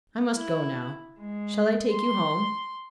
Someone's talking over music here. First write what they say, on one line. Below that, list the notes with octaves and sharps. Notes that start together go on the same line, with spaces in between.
"I must go now. Shall I take you home?"
E4
G#3
C6